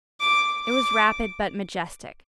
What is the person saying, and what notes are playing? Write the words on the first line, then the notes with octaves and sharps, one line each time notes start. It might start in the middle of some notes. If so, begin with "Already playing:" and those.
It was rapid but majestic.
D6
D6